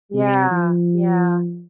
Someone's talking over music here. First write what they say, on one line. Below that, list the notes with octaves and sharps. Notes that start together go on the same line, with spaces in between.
Yeah. Yeah.
C3
F3